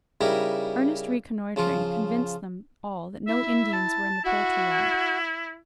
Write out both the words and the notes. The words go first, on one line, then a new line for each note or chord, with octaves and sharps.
Earnest reconnoitring convinced them all that no Indians were in the poultry-yard.
C#3 G3 D#4 E4 G4 A#4
C#3 F3 F4
E4 E5
A5
E4 F#4